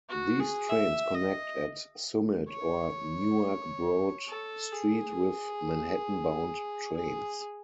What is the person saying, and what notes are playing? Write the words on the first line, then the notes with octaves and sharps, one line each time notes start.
These trains connect at Summit or Newark Broad Street with Manhattan-bound trains.
F#4
G#4
E5
D#5
C#5
A4
G#4
G#4